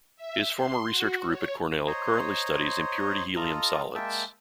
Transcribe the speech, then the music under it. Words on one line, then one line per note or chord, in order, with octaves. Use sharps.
His former research group at Cornell currently studies impurity-helium solids.
E5
C6
F#4
C#5
C5 C#5 D#5 A#5 C6
F4 A4 D#5 A#5
G#3 A#3 E5 G5 A5